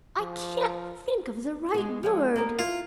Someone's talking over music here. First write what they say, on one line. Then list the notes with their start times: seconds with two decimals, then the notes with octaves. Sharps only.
I can't think of the right word.
0.19 F3
1.74 G#3 B3
2.03 F3 G#3 C#5
2.36 A#3 B3 A#4
2.59 E4 F4